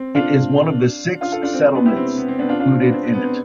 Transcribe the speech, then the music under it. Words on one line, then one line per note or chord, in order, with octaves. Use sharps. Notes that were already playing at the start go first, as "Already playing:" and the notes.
It is one of the six settlements included in it.
Already playing: C4
D4 F4
D4 F4
F4 A4
D4 F4
C4
C4
B3 D4
E4 G4
C4
C4
B3
C4
B3 D4
D4 F4
D4 F4
C4
B3 D4
C4
B3
B3
C4